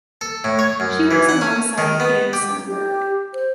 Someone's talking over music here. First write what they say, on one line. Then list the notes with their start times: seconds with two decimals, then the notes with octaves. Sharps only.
She works alongside Anne Sundberg.
0.21 A4
0.44 A2
0.59 C#5
0.80 F#2
1.11 E3
1.29 F#5
1.41 C#4
1.78 D#3
2.00 B3
2.33 G4
2.68 G4
3.34 C5